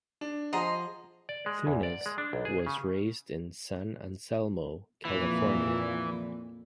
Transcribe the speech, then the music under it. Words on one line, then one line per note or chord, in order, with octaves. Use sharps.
Thunes was raised in San Anselmo, California.
D4
F3 G#4 D#5 F#5 A#5 C6
D5
G#3
E2
D5
G#3
D4
B1
G#4
C#3
F2 A#2 E3